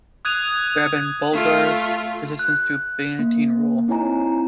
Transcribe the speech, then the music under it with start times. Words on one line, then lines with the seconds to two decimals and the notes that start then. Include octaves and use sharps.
There had been Bulgar resistance to Byantine rule.
0.25 D#6 F#6 G#6 D#7 F7
1.33 A3 F4
2.39 F#6
3.19 A#3
3.88 C4 D#4 E4 C#5 G#5 A#5